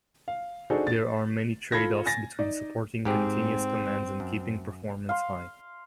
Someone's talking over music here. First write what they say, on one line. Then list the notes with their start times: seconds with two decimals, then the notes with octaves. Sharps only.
There are many trade-offs between supporting continuous commands and keeping performance high.
0.28 F5
0.70 D4 D#4 F#4 G#4 A4 C5
0.87 A6
1.72 F4 A4 B5 G#6 A#6
2.06 G#5 A6 A#6
2.39 D#4 D5
3.05 G#2 C4 G4 G#4
4.20 F#2
5.09 F5 C6